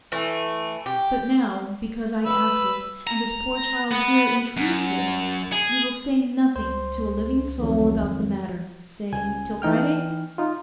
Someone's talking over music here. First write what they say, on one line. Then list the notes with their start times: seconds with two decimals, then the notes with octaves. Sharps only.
But now, because I ask it, and this poor child here entreats it, you will say nothing to a living soul about the matter, say, till Friday?
0.12 E3 A3
0.86 G4
2.26 B4 E6
3.07 A#5
3.91 B3
4.57 F#2
5.52 G#4
6.56 C#2 C5
7.59 F2 D#3 F#3
9.13 C#2 G#5
9.62 E3 D#4 G5 F6
10.38 D#4 F4